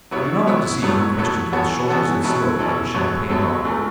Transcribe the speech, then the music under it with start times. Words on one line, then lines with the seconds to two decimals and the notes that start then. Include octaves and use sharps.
I do not like to see young Christians with shoulders that slope like a champagne bottle.
0.11 F#3 B3 E4 C#5
0.46 F#3 B3 E4 C#5
0.82 A2 F#3 B3 A4 C#5
1.17 A2 F#3 B3 A4 C#5
1.53 E3 B3 F#4 A4 C#5
1.88 E3 B3 F#4 A4 C#5
2.23 B2 F#3 C#4 E4 A4
2.59 B2 F#3 C#4 E4 A4
2.94 F#2 F#3 B3 A4 C#5
3.29 F#2 F#3 B3 A4 C#5
3.65 C#2 C#3 A3